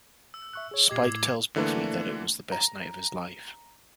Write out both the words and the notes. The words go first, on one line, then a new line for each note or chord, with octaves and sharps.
Spike tells Buffy that it was the best night of his life.
E6
E5 C#6 F#6
G#4 C#5
A#2 G4 D#5 D6 G#6 C7
A2
D3 E3 A3 A#3 D4
A#5